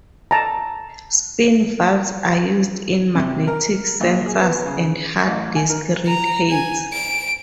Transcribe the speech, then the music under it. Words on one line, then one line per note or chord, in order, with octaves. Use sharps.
Spin valves are used in magnetic sensors and hard disk read heads.
A5 A#5
C3
A#4
A#1
G#4
B3
C#3
A1
G#5
A#4
A#5
G#5
D7